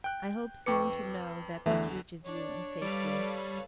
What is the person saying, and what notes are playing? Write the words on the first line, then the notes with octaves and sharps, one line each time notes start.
I hope soon to know that this reaches you in safety.
G5 F#6
F2 B4 G5 C#6 D6 C#7
E2 D3 E3 A3
D4 C#5
G3 A4 B4 D5 F5